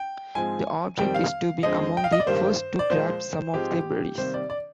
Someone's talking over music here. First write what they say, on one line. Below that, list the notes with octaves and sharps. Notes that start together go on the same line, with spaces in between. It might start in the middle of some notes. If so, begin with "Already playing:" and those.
The object is to be among the first to grab some of the berries.
Already playing: G5
G#2 F3 G#3 C4 G#5
F2 D#3 G3 C4 G5
F5
F2 D3 G#3 C4 D#5
G5
F5
D#5
D5
G2 D#3 G3 A#3 C5
D5
A#2 F3 G#3 C5
G#2 F3 G#3 C4 G4
C3 D#3 G3 A#3 C5
D5
D5